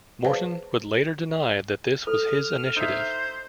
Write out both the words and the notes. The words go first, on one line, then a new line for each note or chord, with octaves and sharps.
Morton would later deny that this was his initiative.
G#4 B4 C5 D5 F5 A5
A4 F6
D#4 C5 E5